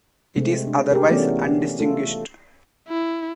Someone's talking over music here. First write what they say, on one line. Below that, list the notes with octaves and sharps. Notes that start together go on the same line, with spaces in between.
It is otherwise undistinguished.
C3 G#3 A3 C4
D4
G4 G#4 A#4
E3 A3 B3 C#4 D5
A3 F4 A4
E4